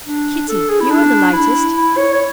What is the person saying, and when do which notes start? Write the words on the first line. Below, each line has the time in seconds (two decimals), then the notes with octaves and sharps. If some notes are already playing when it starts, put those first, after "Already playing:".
Kitty, you are the lightest.
0.06 D4
0.49 A4
0.70 G#4
0.80 E4
0.91 D4
1.33 E4
1.77 E4
1.97 C#5
2.13 C#5